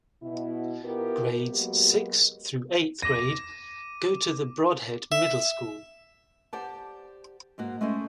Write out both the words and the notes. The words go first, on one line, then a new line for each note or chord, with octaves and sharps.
Grades sixth through eighth grade go to the Brodhead Middle School.
B2 E4
B3 E4 F4 G4 A#4
F#3 G#3 A#3 B3 F#4 G4
D6 A#6 D#7
E5
G4 C5 D5 F#5 A5
G#2 A#3 F#4
G#3 A3 C#4 E4 A4 C5